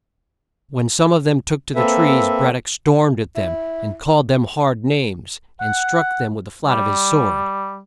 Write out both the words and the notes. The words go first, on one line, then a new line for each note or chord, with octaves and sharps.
When some of them took to the trees, Brad-dock stormed at them, and called them hard names, and struck them with the flat of his sword.
A#3 C4 A4 B4 E5
E4
F#5
G3